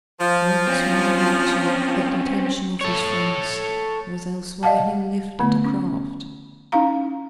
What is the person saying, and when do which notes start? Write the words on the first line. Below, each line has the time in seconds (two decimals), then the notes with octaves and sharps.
Once more, noting that the attention of his friends was elsewhere, he lifted the craft.
0.20 F3
0.67 C4 C#4
2.81 A4 C#5
4.63 D5 D#5 F5 F#5 A5
5.39 D3 A3 B3 E4
5.64 C#4
6.72 C#4 D#4 E4 F5 A#5